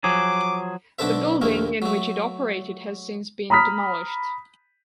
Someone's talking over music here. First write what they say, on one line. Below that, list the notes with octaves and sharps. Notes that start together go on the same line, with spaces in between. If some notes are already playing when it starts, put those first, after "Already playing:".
The building in which it operated has since been demolished.
F3 F#3 G#4 D6
B1 D3 D4 A4 C5 E5
A#1 D#2 A3 A#3
F#3 A3
A#5 B5 D#6 F6 B6